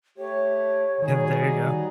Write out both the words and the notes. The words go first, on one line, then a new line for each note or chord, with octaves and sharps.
Yeah, there you go.
A3 G4 C#5
D#3 F#3 G3 D#4 G#4